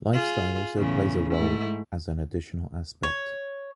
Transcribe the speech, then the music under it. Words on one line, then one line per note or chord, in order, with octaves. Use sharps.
Lifestyle also plays a role as an additional aspect.
F4 G#4
E2 A2 C#3
G#2 A3 E4
C#5